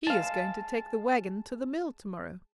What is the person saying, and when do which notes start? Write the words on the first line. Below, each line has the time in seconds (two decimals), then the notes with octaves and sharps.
He is going to take the wagon to the mill tomorrow!
0.07 G#3 F5 A5